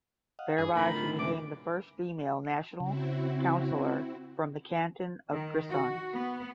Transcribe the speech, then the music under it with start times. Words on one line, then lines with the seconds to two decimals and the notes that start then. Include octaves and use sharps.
Thereby she became the first female National Councillor from the canton of Grisons.
0.39 D#5 F5 F#5
0.58 G2 D4 G#4 D#6
0.76 A2 D3 D#4 A#4 B5
0.95 F4
1.19 F#2 C3 E3 G#3 D4 D6
2.80 C#3 C4 E4 F#4
5.31 D#3
5.69 F#4
6.14 B3